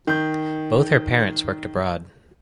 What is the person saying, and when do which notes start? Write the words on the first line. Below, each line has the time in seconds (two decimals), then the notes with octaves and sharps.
Both her parents worked abroad.
0.07 D#3 G6